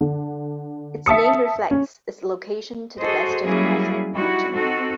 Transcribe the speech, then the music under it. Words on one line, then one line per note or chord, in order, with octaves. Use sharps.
Its name reflects its location to the west of North Mountain.
D3
E5 A5 D#6 C#7
C#4
F#4 G#4 A4 C5 D#5
F#3 G3 A#3 C#4 E4 G#4
G3 D#4 E4 F#4
C4 D#4 F#4 A4